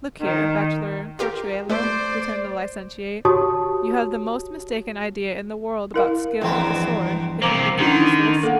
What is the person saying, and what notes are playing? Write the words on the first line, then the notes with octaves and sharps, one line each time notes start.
"Look here, bachelor Corchuelo," returned the licentiate, "you have the most mistaken idea in the world about skill with the sword, if you think it useless."
D#3
F4 G4 A#4
A3 C5 D5
F#4 G4 C#5 A5 C#6 D#6
E4 A#4 F5
E2 G2 E3 F3 C4
C3 A#3 C5 A#5 D6
D3 D#3 C#4 D4 E4
A#3 A4 F#5